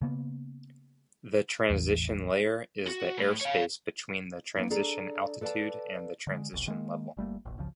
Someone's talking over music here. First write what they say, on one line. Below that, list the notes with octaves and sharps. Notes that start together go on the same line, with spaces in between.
The transition layer is the airspace between the transition altitude and the transition level.
C#3 A#3 B3
A1 E2
F#4
A2
C#5 F5
A#3 B3 D#4
D4 G#4 A4 D5 A#5
A4 B4 D5 D#5 F5 A5
D3 G#3
F1 B1
D#3 G#3 A#3
G1 G3 A3 A#3
E1 A#1
G#1 C#2 C#3 F3